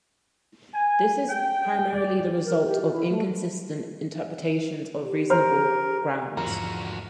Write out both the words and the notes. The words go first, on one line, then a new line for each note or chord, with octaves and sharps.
This is primarily the result of inconsistent interpretations of reasonable grounds.
G#5
G5
D5
A#4
G4
F#4
E4
A3
G4
A#4 C5 F6
E2 G#2 D3 F3 F#4 A#4